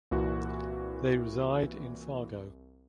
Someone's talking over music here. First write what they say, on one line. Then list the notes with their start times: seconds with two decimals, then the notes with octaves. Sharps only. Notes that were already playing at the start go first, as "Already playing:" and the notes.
They reside in Fargo.
0.11 C2 A#2 E3 F#4